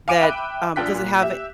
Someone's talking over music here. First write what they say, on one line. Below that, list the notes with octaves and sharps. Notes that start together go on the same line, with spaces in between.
that um, does it have
F5 G#5 D6 D7 D#7
E5 G5 B5 F#6
A#1 D4 F4 G5 F#6 B6
A#2
G4 E5